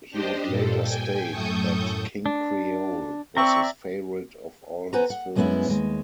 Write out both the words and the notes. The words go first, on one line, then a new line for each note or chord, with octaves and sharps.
He would later state that "King Creole" was his favorite of all his films.
D4 G4 C5 D#5
G2 A#2 A4
G5 G#5
F#2 A2 A4 C#6 D#6 G6
D4
C4 D5 E5 A#5 C#6
B3 B4 C5 F#5 G#5 A#5
F#5
F#2 G#3 A#3 B3 C#4 E4
D#2 G#3